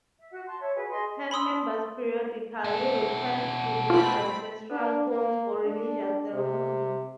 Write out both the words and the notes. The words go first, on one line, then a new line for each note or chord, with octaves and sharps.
Clan members periodically return to these ancestral homes for religious ceremonies.
E5
F#4 F#5
A5 C6
C#5 E5
F#4 G#4 B4
G#4 D#5 C6
B5 C6 D#6 E6
B2 E5
A3 C4 F4 B5
D4
A#3
D4
C3